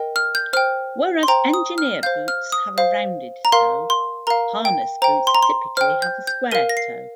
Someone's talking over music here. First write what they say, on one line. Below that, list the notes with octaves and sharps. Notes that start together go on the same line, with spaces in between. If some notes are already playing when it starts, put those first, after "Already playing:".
Whereas engineer boots have a rounded toe, harness boots typically have a square toe.
Already playing: A#4 D#5 G5
F6
G6
C5 G5 F6
C6
C5 G5 A#5
D#6
F6
C5 F5 G6
F6
D#6
C5 F5
A#5
A#4 F5 C6
C6
A#4 F5 A#5
G5
C5 G5 A#5
C6
A#5
C6
C5 G5 F6
G6
G6
A#4 F5 D#7
A#6
C7